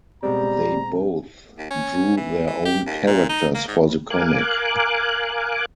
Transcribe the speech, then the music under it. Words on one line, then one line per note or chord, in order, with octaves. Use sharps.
They both drew their own characters for the comic.
B2 G3 G#3 C4 A#5
D#2
C#4
E3
E3
G4
D#2
A#2
D#4
A#3
G#2
A#4 F5 G#5 D6 F#6